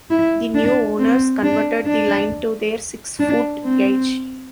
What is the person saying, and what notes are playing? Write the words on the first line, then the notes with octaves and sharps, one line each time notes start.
The new owners converted the line to their six-foot gauge.
E4
D4
C4
D4
D4
D4
C4